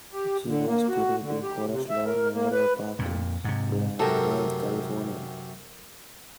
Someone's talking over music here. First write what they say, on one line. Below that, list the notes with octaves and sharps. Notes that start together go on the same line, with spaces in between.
She was buried in Forest Lawn Memorial Park in Glendale, California.
G4
D3
A#3
F#4
D3
G4
C3
E5
A#4
A#3
B4
F2 A#2
G#2 C3
F#2 C3 A4 A#4